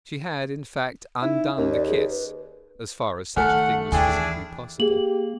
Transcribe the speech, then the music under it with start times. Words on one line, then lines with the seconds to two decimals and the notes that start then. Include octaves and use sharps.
She had, in fact, undone the kiss, as far as such a thing was physically possible.
1.22 D#4 E4
1.57 D#2 C#4
1.72 D5
1.87 G#4
2.10 B4
3.37 D#3 A3 F#5 G#5 A5 F6
3.92 D#2 E3 D4 E4 G#4 G5 G#5
4.80 A#3 G4 G#4 F#7